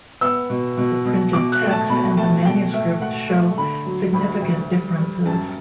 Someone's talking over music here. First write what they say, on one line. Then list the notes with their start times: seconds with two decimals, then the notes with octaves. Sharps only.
The printed text and the manuscript show significant differences.
0.21 B3 E6
0.50 B2
0.77 B2
1.05 B2
1.33 B2 D6
1.52 F#6
1.62 A3
1.70 A5
1.89 B2 B5
2.17 A3 A5
2.45 B2 G5
2.74 A3 E5
3.01 A3 F#5
3.30 A3
3.58 D3 B5
3.85 F#3
4.13 D2 B5
4.41 D2
4.70 G3
4.98 G3
5.25 F#2 A5